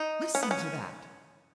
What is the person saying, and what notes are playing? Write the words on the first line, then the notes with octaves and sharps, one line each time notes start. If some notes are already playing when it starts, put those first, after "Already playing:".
Listen to that!
Already playing: D#4
C#4
B3
C#4